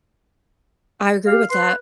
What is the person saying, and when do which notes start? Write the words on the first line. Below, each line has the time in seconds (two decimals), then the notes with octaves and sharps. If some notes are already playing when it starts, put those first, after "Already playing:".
I agree with that.
1.27 G4 F5
1.50 B4 C6